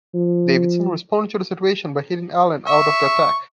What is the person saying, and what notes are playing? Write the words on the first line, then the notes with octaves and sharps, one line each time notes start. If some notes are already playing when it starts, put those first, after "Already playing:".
Davidson responded to the situation by hitting Allen out of the attack.
F3
E5 C#6